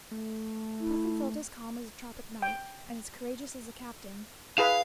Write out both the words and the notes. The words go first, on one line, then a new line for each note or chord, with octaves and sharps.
Puffin felt as calm as a tropic night, and as courageous as a captain.
A3
E4
G5
E4 G#4 B4 F5